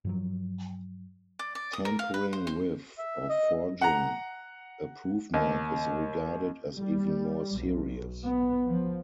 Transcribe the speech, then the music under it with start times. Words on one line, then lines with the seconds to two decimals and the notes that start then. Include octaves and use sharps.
Tampering with, or forging, a proof mark is regarded as even more serious.
0.05 G2 F3 F#3
1.39 D5
1.55 D5
1.73 D#6
1.85 A#4
1.99 F5
2.14 B4
2.33 C5
2.47 C5
2.98 E5
3.30 D#5
3.81 F#5 A#5
5.34 D#2
6.76 G3
7.57 B1
8.25 B3
8.69 F3